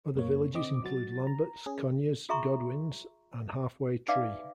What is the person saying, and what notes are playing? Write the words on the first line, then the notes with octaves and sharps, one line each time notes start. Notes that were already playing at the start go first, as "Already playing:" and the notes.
Other villages include Lamberts, Conyers, Godwin's and Half Way Tree.
F#2 A#3 C#5
D3 C4 D#5 D6
F#3 F#4 A6
A#5
C#4 G#4
F4 G#4 E5 A#5 C6 C#6
D#4 B4 D5 E5 F5 D6